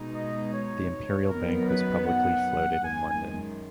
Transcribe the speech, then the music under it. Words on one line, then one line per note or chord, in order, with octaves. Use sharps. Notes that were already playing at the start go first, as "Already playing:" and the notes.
The Imperial Bank was publicly floated in London.
Already playing: B2 G#3 D#4
D#5
C#5
F#2 D#3 F#3 B3 A#4
B4
F#5
F#2 D#3 G#3 G#5
G#5